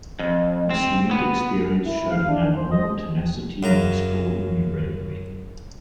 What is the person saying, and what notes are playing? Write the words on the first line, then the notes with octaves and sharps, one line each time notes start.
This unique experience showed an abnormal tenacity and extraordinary bravery.
F2
C4
B3
E4
F5
D4
D#3
C5
D#5
F#2 C#3 A#5